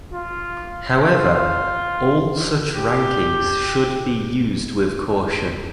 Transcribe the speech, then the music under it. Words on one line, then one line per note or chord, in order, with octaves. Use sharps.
However, all such rankings should be used with caution.
F4
F4
G4